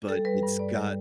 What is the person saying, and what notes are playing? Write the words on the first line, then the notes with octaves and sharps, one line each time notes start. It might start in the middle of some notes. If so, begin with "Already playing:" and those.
but it's got
G3 A4
G3 B4
G2
G2 D5
G3